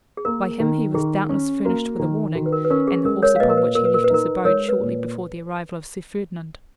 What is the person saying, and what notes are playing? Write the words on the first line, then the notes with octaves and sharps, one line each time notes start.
By him he was doubtless furnished with a warning, and the horse upon which he left his abode shortly before the arrival of Sir Ferdinand.
G#4
A#3 A#4
D#3
D#3 G#4
C#4
A#3 F#4
D#3
D#3 F#4
B4
A#4
B4
C#4 A#4
G#4
G#3 A#4
A#4 C#5
F5
A#2 B4 D#5
A#4
B4
A#2 A#4
B4
A#4
B4
D#4 A#4
G#3 A#4 C#5
B4
A#2